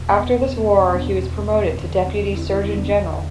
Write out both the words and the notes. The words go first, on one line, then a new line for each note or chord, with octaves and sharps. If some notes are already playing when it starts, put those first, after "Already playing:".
After this war he was promoted to Deputy Surgeon-General.
Already playing: E2 B2
B3
C4
B3 D4
C4
E2 D3
C4
C4 E4
C4 E4
C4 E4
B3 D4